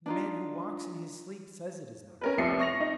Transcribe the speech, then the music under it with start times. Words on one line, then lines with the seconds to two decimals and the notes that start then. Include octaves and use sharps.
The man who walks in his sleep says it is not a club.
0.06 D4 D#4 F4
2.21 C#4 A#4 B4
2.38 F1 C2 C3 F3 C7 C#7
2.59 C#6 A#6 F7
2.80 D#4